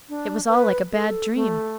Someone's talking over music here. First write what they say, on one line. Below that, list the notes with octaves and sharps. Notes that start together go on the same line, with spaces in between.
It was all like a bad dream.
D4
B4
A4
A3